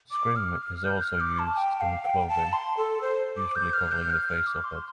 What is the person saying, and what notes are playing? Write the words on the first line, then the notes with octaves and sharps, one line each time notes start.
Scrim is also used in clothing, usually covering the face or head.
D6
F6
F6
G6
F6
D6
A5
G5
F5
G5
A5
C6
A4
C5
D6
G6
F6
G6
F6
F6
D6
C6